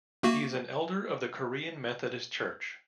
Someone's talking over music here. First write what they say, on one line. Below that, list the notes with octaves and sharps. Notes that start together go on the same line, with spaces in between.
He is an elder of the Korean Methodist Church.
A3 A#3 F#4